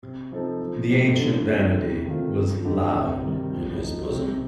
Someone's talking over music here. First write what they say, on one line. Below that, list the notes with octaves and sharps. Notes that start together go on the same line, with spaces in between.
The ancient vanity was loud in his bosom.
C3
F3 C4 D#4 A4
F3
A3 D#4 G4 C5
D3
F3 A3 C4
C3
D#3 A3 C4 F4
G2
D3 A3 D#4 G4
C3
D#3 G3
F3
A3 D#4
C3